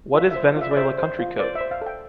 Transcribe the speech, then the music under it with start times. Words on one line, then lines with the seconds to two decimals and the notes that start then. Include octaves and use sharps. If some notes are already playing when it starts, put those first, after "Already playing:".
What is Venezuela country code?
0.14 F4 E5
0.31 C5 E5
0.46 D5
0.56 F4 E5
0.71 D5
0.77 C5 E5
0.98 C5
1.19 F4
1.39 C5 D5
1.55 E5
1.61 C5
1.71 F5
1.82 A4 G5